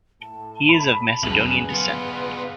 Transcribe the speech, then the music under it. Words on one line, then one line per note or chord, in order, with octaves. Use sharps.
He is of Macedonian descent.
A2 A5
B5
F#2 G#4 B4 F7 F#7
B3 F4 B4